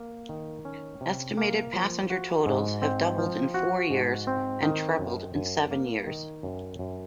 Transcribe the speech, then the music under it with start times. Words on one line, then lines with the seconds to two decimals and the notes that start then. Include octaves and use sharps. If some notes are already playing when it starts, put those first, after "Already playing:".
Estimated passenger totals have doubled in four years and trebled in seven years.
Already playing: A#3
0.29 D#3
0.65 C#4
1.01 C3
1.37 A#3
1.73 F3
2.10 F#4
2.46 G#2
2.82 C4
3.18 F3
3.54 F#4
3.91 G#2
4.27 C4
4.62 D#3
4.99 F#2
5.35 F#2
5.71 A#3
6.07 D#3
6.43 F#2
6.79 F#2